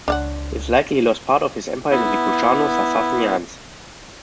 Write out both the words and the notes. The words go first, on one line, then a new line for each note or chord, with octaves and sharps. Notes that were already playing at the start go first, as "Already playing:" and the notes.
It is likely he lost part of his empire to the Kushano-Sassanians.
C#2 D4 F5 F#5
B3 E4